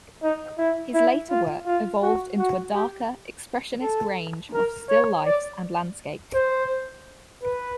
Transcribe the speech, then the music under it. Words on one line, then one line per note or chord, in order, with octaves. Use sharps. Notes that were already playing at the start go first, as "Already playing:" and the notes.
His later work evolved into a darker, Expressionist range of still lifes and landscapes.
D#4
E4
E4
F4
F4
F#4
F#4
G4
A4
A#4
C#5
D5
C5
B4